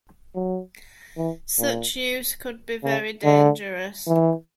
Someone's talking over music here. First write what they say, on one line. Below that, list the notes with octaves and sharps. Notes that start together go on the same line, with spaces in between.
Such use could be very dangerous.
F#3
E3
A#2
C#3
D3
E3